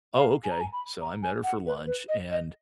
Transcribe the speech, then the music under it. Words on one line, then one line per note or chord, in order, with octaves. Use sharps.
"Oh, ok," so I met her for lunch and
F5
G#5
A#5
G#5
B5
A#5
G#5
F#5
B4
B4
D#5
D#5